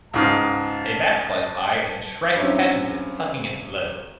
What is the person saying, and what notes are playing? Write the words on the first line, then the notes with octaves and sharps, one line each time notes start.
A bat flies by and Schreck catches it, sucking its blood.
C#2 G#2 F5 A5
G2 F#3 C4 C#4 E4